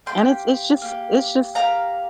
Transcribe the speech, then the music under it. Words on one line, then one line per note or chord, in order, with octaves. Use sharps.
and it's just it's just
A#3 G4 G5 C6
A#3 G4
A#3 G4 F5 A#5